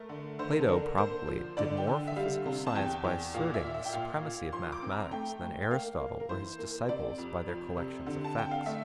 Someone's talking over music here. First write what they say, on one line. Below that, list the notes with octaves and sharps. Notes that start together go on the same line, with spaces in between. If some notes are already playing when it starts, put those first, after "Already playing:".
Plato probably did more for physical science by asserting the supremacy of mathematics than Aristotle or his disciples by their collections of facts.
Already playing: A3 A#4
D3
D3 C5
A#4
A4
D4 A#4
A#3 C5
F3
D3 D5
G5
D3
E5
G3 F5
C3
A5
E2 G5
E2
A#2 F5
E5
A#2
E5
G5
A#2 F5
A#2
F3 C6
D6
C4
A#5
A3 G5
A3
G5
A#3 F5
A#3
A#4
E3 C5
A#3
C3 D5
F2
F3
C3
D3
A5
D3 G5
F5
A3 E5